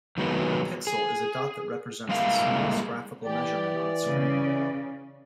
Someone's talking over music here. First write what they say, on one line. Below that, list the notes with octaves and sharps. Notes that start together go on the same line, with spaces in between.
A pixel is a dot that represents the smallest graphical measurement on a screen.
D#3 F#3 G#3 B3
G#4
G3 G#3 A#3 E4 F5
E3 G4 D5
C#3